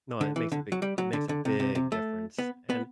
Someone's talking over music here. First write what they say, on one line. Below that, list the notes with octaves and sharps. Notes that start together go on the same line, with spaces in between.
No, it makes a big it makes a big difference, and
D3
E3
D3
F#3
G3
F#3
D3
D3
C3
C3
C3
A3
B3
B3